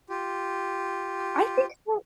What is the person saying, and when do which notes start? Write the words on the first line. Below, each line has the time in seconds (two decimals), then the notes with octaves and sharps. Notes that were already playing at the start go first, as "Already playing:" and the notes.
I think so
0.10 F4 G4